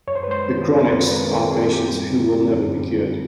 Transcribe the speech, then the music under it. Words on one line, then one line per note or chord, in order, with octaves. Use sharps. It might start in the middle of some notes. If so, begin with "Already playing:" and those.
The chronics are patients who will never be cured.
F#2 C#5
C5
B4
G#3 C5
D#3
C4
F#2 B4
G#3 A#4
D#3 A4
C4 G#4
F#2 G4
G3
D3
C4
F#2
G3
D3